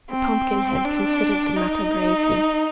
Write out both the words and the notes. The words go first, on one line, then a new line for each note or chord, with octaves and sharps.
The Pumpkinhead considered the matter gravely.
C4
D4
D#4